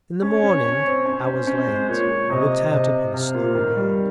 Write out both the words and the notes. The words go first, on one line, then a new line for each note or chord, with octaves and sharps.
In the morning, hours late, we looked out upon a snowy world.
C#4 C#5
C#4
C#4
C4
C#4 C5
C#4
C#4 C5
G#3
A#2 C#5
A#2
C3 D#5
C3
C3 F5
A#2
D#3
G3